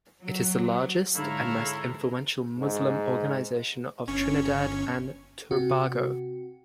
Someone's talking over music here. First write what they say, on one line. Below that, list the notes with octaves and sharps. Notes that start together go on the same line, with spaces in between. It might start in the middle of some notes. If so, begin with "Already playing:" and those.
It is the largest and most influential Muslim organisation of Trinidad and Tobago.
F#3
G#2 D3 E4 G#4 A4 C#5 F5 A#5
G#2
G1 C#4 C#6
C3 F#4